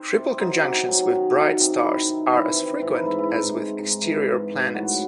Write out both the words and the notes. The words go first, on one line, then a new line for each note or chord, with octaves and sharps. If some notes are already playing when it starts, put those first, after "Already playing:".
Triple conjunctions with bright stars are as frequent as with exterior planets.
Already playing: C4 D#4 C5
C3
F#3 D#4
C#4
C3
D#4
F#3 C#4
D#4
C#4
D#3
C3 D#4
C3
E4
D#3 D#4
C3
C3 E3 E4
C3
G#2 E3 E4
D#4
G#2 E3 E4
E3 E4
G#2 D#4
G#3
G#2 D#4
E3
G#2
G#2
A2 F#3 F#4